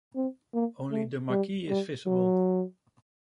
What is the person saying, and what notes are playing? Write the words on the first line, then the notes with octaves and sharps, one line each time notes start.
Only the marquee is visible.
C4
A#3
A3
G3
G3
F#3